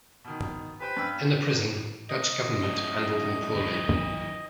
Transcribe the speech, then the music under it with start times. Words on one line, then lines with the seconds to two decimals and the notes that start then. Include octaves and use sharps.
In the prison, Dutch government handled him poorly.
0.24 B2 D#3
0.80 G4 B4 C5 G5
0.97 G2 G5 E6
2.09 D#5
2.63 F#2 A2
3.53 D#3 B4